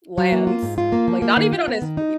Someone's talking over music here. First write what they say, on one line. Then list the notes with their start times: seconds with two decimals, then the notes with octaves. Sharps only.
lands, like, not even on his feet,
0.18 F#3
0.32 A#3
0.47 F4
0.63 G#2
0.78 F4
0.92 A#3
1.08 F3
1.22 A#3
1.37 D#3
1.53 F4
1.68 B3
1.82 D#3
1.97 D#4